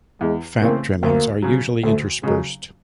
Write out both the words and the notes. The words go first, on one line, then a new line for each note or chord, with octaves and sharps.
Fat trimmings are usually interspersed.
E2 G#3
C#3 E3 A3 A#3 C4
D2 A#3
C#3 F#3
D2 A3
C#3 F#3 G#3